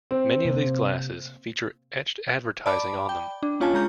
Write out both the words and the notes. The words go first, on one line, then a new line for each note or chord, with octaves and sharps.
Many of these glasses feature etched advertising on them.
C4
C3 A#3
D5 A5 B5 D6
G5
D4
A#3 C#4 F4 C#5 G#5 A5
G#3 A#5 G6